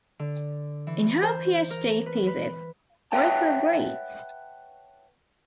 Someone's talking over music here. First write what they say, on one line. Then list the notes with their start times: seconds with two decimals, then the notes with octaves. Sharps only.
In her PhD thesis Why So Great?
0.19 D3
0.87 E3
1.22 C5
1.70 A#4
2.06 B4
2.27 B4
3.12 B4 C#5 E5 F#5 G5 A5